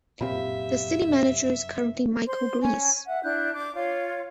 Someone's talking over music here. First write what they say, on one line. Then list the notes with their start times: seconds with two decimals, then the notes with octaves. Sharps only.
The City Manager is currently Michael Graese.
0.21 F1 F#2 A#2 C4 G4 E5 F5 B5
2.27 C5 C6
2.61 C#4 G#5
3.07 E5 F#5
3.23 D4 E4 F#6 G6
3.55 D4 D6
3.74 F4 C#5 F5